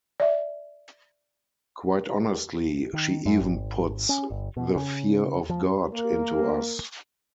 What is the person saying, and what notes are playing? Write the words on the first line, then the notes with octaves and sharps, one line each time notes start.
Quite honestly, she even puts the fear of God into us.
D5 E5
D#3
F#2
G#1
C#4
G1
B2
C#3
F3
A#3 A#4